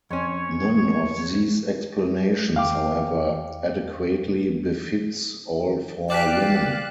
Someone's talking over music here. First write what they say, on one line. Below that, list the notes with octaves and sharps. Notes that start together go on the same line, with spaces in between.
None of these explanations, however, adequately befits all four women.
F2 C#4 C#5
E2 F5 G5 D6
D5 F5 G5 D6 F#6 B6